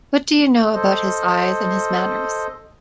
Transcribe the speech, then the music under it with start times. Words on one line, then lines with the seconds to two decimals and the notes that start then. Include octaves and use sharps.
What do you know about his eyes and his manners?
0.74 A4 C5 D#5